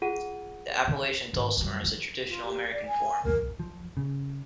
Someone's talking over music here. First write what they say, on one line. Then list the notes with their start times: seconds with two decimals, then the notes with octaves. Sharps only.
The Appalachian dulcimer is a traditional American form.
0.02 F4 G#4 F#5 D#7
1.33 G#1
1.57 F#2 G3
1.84 F3
2.28 F4
2.45 G4
2.70 D5
2.86 G#5
3.24 A#4
3.60 F3
3.97 C#3